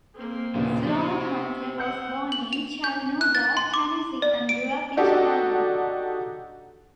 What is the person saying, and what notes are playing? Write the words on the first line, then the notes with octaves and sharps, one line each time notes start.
Sloan-Hunter was born in Chattanooga, Tennessee, and grew up in Chicago.
A#3 C4
D#2 A#2 C#3 F3 B3 D4
D#4 G4 C5 C#5
C4 F#5 E6 G6 C#7
F#7
F7
G6
F#6
A6
C6
D6
D5
D7
D4 D#4 F#4 G4 A4